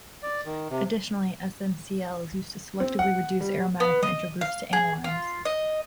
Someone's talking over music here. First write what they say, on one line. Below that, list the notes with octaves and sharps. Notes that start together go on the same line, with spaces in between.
Additionally, SnCl is used to selectively reduce aromatic nitro groups to anilines.
D5
D#3
C3
C4
F#5
G3
B3
D#5
F5
G#4
F4
D#5